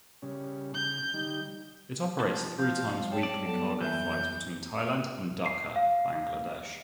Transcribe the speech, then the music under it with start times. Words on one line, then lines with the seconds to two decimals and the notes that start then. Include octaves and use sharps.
It operates three times weekly cargo flights between Thailand and Dhaka, Bangladesh.
0.22 C#3 G3 C#4
0.74 C#3 G6
1.14 G3 D#4
2.20 F3
2.59 F5 F6 G6
3.11 G3 C#5 G5 A5
3.23 D5
3.46 F#3 B3 A4 A5
3.81 F2 E3 E5 G6
5.46 C7
5.76 F5